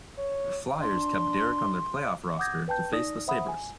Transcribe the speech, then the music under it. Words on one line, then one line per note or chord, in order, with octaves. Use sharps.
The Flyers kept Derek on their playoff roster to face the Sabres.
C#5
D4 C6
F#5 D6 D#6 G6 G#6 A#6
B4 G5 A5 G6
D#4 D5 D#6 A#6
C5 E5 F#5 B5 D#6
G#5